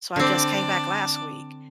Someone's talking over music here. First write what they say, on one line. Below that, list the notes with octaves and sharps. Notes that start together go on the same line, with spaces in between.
So I just came back last week,
D3 C4 D4 D5